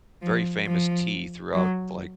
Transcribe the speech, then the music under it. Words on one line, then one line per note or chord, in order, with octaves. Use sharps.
very famous tea throughout, like,
F3
F3
F#3